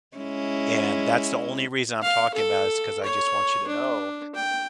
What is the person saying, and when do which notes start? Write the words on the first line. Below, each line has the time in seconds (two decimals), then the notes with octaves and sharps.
and that's the only reason I'm talking about it is 'cause I, just, want you to know
0.17 G#3 C#4 E4
2.02 F5
2.34 A4
3.03 C#5
3.67 D4
4.34 G5